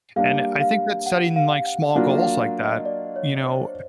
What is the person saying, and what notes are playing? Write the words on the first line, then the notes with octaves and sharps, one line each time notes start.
and it I think that setting, like, small goals like that, you know,
G3 A#3 D4 F5
F5
F#5
F5
F#5
F#3 A#3 D4 F4 F#5
F5
D#5
D5
C#5
C5